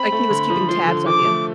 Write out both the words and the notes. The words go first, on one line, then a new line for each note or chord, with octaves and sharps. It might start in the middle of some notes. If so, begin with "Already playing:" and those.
Like he was keeping tabs on you.
Already playing: C4 B5
A3
D3
F3
F3 C6
D3
F3 D6
A3